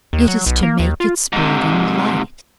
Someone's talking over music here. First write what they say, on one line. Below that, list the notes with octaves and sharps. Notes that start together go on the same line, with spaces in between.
It is to make its burden light.
D#2
F#3
B1
A#3
D#2
F4
G#2 C3